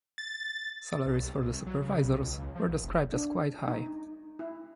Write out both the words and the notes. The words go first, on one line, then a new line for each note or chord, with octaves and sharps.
Salaries for the supervisors were described as "quite high".
A6
B1
C2
C2
F#3
C#3
B1
C#2
C#2
F3
A#1
F1
D4
D#4
E4